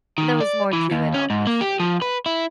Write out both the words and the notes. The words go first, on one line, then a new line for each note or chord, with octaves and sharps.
there was more to it, obviously, but
D#3
D5
E3
D#2
C#4
G#2
A#3
G4
F3
B4
E4